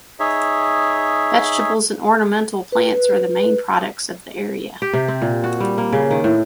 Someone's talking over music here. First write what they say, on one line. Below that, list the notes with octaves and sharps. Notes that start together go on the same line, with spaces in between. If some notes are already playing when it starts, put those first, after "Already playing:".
Vegetables and ornamental plants are the main products of the area.
D#4 G#4 C#5 E5
B4
G4
C3
C4
A#2
F#4
G3
A#3
C#3
D#3
A2